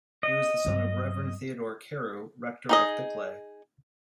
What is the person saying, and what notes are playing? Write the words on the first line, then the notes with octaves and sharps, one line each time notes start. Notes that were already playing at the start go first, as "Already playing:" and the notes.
He was the son of Reverend Theodore Carew, rector of Bickleigh.
D#5
G2 F#3
D#4 G#4 D#5